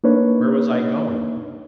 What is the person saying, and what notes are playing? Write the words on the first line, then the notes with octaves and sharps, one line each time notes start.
Where was I going?
A#3 D4 D#4 B4 C#5